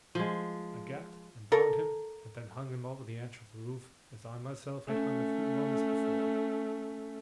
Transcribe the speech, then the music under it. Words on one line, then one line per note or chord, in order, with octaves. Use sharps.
I gagged and bound him and then hung him over the edge of the roof as I myself had hung a few moments before.
F3 G#3
A4 A#4
A3 C#4